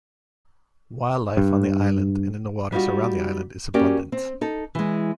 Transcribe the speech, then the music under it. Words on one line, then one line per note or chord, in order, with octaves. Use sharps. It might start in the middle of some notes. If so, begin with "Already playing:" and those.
Wildlife on the island and in the waters around the island is abundant.
G2
G3 D#4 F4 F#4
A#3 C#4 F#4 G4 A#4 D5
C4
D#4 A4
E3 G#3